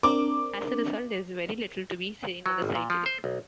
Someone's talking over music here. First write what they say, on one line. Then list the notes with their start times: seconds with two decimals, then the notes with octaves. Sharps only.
As a result, there is very little to be seen on the site today.
0.03 C4 D4 A#4 D6
2.46 F#3
2.62 G#1
2.75 A#2
2.90 F3
3.06 C5
3.24 B1